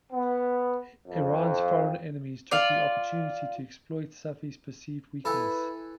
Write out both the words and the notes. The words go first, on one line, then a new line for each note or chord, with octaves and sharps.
Iran's foreign enemies took the opportunity to exploit Safi's perceived weakness.
B3
F2
F4 D5
E3 E4 A4 B4 B5